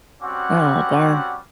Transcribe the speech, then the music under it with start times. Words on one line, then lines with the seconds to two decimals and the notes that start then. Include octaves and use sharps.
Oh, darn.
0.22 G3 C4 C#4 F#4 F#5 D6